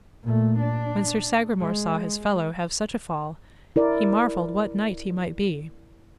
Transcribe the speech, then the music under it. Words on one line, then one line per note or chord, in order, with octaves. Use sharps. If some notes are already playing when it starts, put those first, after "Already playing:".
When Sir Sagramore saw his fellow have such a fall he marvelled what knight he might be.
A#2 A3
D4
G#3
E4 A#4 D5